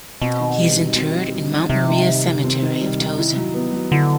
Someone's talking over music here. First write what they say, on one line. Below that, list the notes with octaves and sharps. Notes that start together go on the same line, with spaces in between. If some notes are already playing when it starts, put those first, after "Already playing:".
He is interred in Mount Maria Cemetery of Towson.
B2 C4
D#3
G3
D#3
C4
D#3
G3
D#3
C3 C4
D#3
G3
D#3
C4
D#3
G3
D#3
E4
F#3
B3
F#3
D3 E4